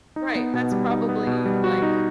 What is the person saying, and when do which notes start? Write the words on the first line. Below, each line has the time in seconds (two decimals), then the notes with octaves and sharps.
Right, that's probably, like,
0.16 D#4
0.35 B3
0.54 B2
0.72 G3
0.90 D#4
1.09 B3
1.27 B2
1.46 G3
1.64 F#4
1.82 D#4